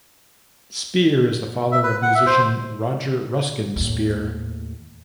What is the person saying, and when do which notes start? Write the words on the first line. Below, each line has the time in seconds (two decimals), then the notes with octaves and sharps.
Spear is the father of musician Roger Ruskin Spear.
1.72 E5
1.83 B4
2.02 F#5
2.15 E5
2.26 C5
3.76 D#2 A2